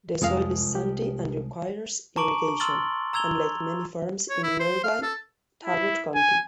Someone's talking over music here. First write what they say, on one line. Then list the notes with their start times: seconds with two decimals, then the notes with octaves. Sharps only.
The soil is sandy and requires irrigation, unlike many farms in nearby Talbot County.
0.22 C2 F2 F3 G#3 F5
0.75 G4
2.17 A5 A#5 C#6 D6 D7 F#7
2.59 C6 E6 F6 A6 F#7 G7
3.13 A#5 E6 G#6 F7 G7
4.30 C#5
4.43 E4
4.60 C5
4.84 F5
5.02 A4
5.64 E4
6.15 G#5